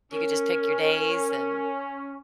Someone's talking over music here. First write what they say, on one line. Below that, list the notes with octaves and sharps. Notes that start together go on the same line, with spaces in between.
you could just pick your days and
C#4 A#4